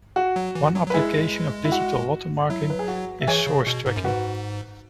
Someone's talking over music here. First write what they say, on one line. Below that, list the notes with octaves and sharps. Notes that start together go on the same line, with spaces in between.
One application of digital watermarking is source tracking.
F#4
F#3
E3
F#3
F#3
B4
G#3 E4 G#4
E4
F#4
F#3 E4
B4
G#4
F#4
E5
E3 G#4 C#5
C#3
B2
G#2
F#2
G#2 F#4 B4